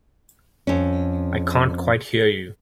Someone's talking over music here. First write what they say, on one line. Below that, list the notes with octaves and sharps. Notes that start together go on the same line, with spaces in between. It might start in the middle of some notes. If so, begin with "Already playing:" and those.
I can't quite hear you.
F2 C#4